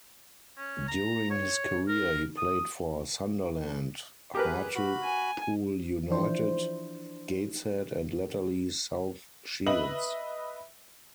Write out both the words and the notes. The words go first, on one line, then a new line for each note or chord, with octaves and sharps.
During his career, he played for Sunderland, Hartlepool United, Gateshead and latterly South Shields.
C#4
A#5
C#5
A#4
D#6
G4 G#4 A#4 B4
F#4 B5
G#5
E3 F3 D4 E4 C5
B4 D#5 E5 F#7